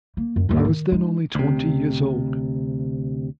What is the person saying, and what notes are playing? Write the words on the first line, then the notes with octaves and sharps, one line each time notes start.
I was then only twenty years old.
A#3
F#2
D#2 G#2
D#3
G#3 D#4
D2 C3